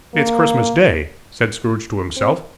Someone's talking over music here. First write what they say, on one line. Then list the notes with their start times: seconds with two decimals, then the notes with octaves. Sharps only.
'It's Christmas Day!' said Scrooge to himself.
0.15 A#3
2.17 C4